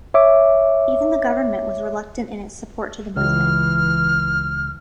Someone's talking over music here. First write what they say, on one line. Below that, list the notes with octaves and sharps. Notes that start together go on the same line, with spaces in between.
Even the government was reluctant in its support to the movement.
C#5 E5 D6
C#2 E3 F6